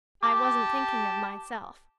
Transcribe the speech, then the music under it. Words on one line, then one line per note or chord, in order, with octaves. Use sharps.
I wasn't thinking of myself.
G4 A5 D6